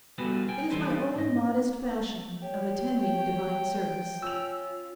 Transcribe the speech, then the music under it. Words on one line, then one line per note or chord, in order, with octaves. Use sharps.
'It is my own modest fashion of attending divine service.
G3 B3 F#4 G#4 A4 B4
G5 G#5
E3 G3 C4 A4 B4 C5
G#2 D#5
G4 C#5
G5
C#4 F4 E6 F7